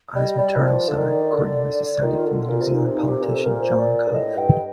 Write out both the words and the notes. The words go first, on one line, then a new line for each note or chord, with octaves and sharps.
On his maternal side, Courtney was descended from the New Zealand politician John Cuff.
G3 D#5
G3 D5
D#3
F3 D5
D3
D#3
D3
D#3 F4
D3
F4
A#2
C3
A#2 D#4
C3
D#4
A#2
C3 G4
A#2 A4
C3
A#2 A#4
C5
D5
D5
G2
A2 D#5
G2 G5